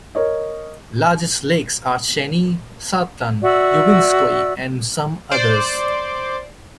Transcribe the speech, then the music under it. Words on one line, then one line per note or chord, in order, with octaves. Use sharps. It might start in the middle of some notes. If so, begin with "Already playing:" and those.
Largest lakes are Chany, Sartlan, Ubinskoye, and some others.
A#4 C#5 D#5
F#4 D5 E5 E6
C5 D5